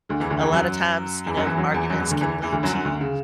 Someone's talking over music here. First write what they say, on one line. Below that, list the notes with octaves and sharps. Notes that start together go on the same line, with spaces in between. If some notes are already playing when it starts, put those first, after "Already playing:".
A lotta times, you know, arguments can lead to
D2 D3
E2 E3
D2 D3
E2 E3
F#2 F#3
E2 E3
F#2 F#3
E2 E3
F#2 F#3
E2 E3
F#2 F#3
E2 E3
D2 D3
E2 E3
E2 E3
D2 D3
F#2 F#3
F#2 F#3
D2 D3
C#3